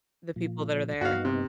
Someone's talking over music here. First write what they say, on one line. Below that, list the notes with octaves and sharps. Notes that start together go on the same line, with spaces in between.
The people that are there.
A#2 F3
G2 B3 D#4 F#4 F5
C3